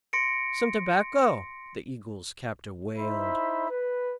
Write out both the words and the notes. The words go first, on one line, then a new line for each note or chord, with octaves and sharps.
"Some tobacco?" the eagle's captor wailed.
C6 A#6 C#7 D7
D#4 E4 C5 E5 B5
B4